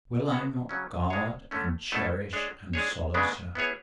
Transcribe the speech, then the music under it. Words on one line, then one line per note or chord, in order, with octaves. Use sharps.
Will I not guard, and cherish, and solace her?
B2 G#3 B3 F#4
C#3 F#3 C#4
A2 G#3 D4 G#4 C#5
D3 A3 C#4
B2 A3 C#4 E4 A4
G#3 D4 G#4 C#5
G#3 D4 G#4 C#5
C#3 G#3 B3 D4
B3 E4 G#4 C#5